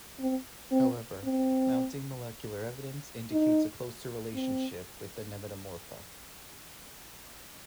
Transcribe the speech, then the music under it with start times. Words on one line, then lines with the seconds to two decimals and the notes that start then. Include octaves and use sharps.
However, mounting molecular evidence indicates a closer relationship with the nematomorpha.
0.20 C4
0.71 C4
1.24 C4
3.32 D#4
4.35 C4